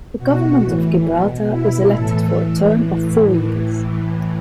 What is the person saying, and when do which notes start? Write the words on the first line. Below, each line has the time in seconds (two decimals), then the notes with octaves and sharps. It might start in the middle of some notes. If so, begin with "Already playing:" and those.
The Government of Gibraltar is elected for a term of four years.
0.18 B2 F#4
0.62 A2 E3
1.05 B2
1.48 B2 E4
1.91 A2 E3 A4
2.34 A2 E3
2.78 A2 E3